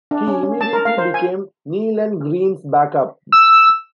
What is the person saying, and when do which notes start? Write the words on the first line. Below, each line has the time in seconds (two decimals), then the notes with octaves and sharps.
He immediately became Nealon Greene's back-up.
0.11 D4
0.28 C#4
0.43 C#4
0.61 A5
0.73 A#4
0.85 F5
0.98 C5
1.14 G#5
3.32 E6